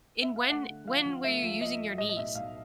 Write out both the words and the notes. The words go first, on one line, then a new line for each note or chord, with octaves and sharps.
in when when were you using your knees?
E5
F5
A3 F#5
D3
F3 F5
F3
A3 E5
F3
F3 D#5
A3
A2 D#5
D#5
B1 E5
B1 F5